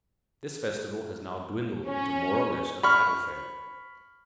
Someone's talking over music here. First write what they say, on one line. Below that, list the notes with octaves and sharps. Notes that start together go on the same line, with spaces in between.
This festival has now dwindled into more or less a cattle fair.
C#4
B5 C#6 F6